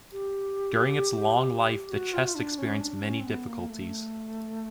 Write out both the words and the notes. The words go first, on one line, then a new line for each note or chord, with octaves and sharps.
During its long life the Chest experienced many difficulties.
G4
F#4
F4
F#4
F4
D4
C#4
D4
C#4
C4
B3
A#3
A3